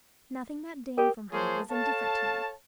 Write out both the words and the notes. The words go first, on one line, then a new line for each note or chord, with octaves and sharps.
Nothing that dame from her was indifferent to me.
G4 A#4
F3 A#3 G#4 C5 C#5 A5
A4 C#5 F5 A5